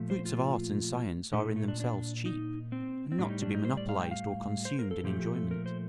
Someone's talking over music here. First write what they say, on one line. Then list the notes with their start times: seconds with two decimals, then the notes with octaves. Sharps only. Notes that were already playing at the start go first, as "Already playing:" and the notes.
The fruits of art and science are in themselves cheap and not to be monopolised or consumed in enjoyment.
Already playing: A#2 F3 A3
0.10 C5
0.25 F4
1.33 A#2 A3 D#4
1.56 A3
1.68 D4
1.80 D4
2.26 D#4
2.72 C4
3.12 C4
3.19 A2 G3 D4
3.30 D#4
3.42 D4
3.54 D#4
3.65 C5
3.77 D5
3.89 F5
4.00 G5
4.11 F5
4.65 C5
4.79 A#4
4.91 A4
5.04 A#2 F3 A3 G4
5.20 G4
5.35 A4
5.51 A#4
5.66 C5